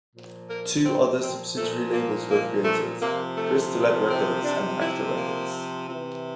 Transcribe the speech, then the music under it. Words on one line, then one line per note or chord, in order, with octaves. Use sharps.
Two other subsidiary labels were created: Crystalette Records and Acta Records.
A#2 F3
A#4
C4
C4
A#2 F3 A3
A#3
A#3
A3
C3 F3 A#3
A3
C4
C3 F3 D4
E4
A#3
C3 E3